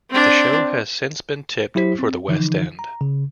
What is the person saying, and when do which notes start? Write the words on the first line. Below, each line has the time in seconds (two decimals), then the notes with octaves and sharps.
The show has since been tipped for the West End.
0.10 C4 D4
1.75 F#3 E4 G4 C5 B6
1.99 C4
2.28 D3 E3 F3 D#4
2.79 A#5
3.01 C#3